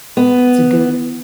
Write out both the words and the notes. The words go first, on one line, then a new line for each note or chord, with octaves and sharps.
to go
B3